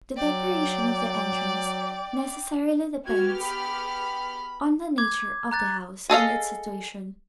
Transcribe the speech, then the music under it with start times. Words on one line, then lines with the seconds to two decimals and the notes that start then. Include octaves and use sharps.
The decoration of the entrance necessarily depends on the nature of the house and its situation.
0.16 F#3 D5 G5
3.05 B3 F#4 G4 F6 G#6
3.39 G#4 B5
4.98 D6 G#6
5.51 A#5 F#6 A6
6.10 G#4 A4 D#5 F5